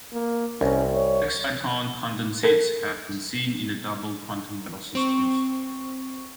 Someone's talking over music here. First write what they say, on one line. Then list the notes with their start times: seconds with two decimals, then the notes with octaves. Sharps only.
Exciton condensates have been seen in a double quantum well systems.
0.13 A#3
0.61 C2 C#4
0.95 C#5
2.43 A4 A#4
4.95 C4 C#6